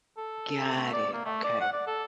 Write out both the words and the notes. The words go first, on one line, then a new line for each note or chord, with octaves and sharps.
Got it, okay.
A4
A3
D5
A#3
A3
D5
F#5
D5
A4